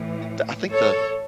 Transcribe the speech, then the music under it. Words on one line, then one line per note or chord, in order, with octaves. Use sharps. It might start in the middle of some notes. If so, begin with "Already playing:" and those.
t I think the
Already playing: A2 E3
A4 C#5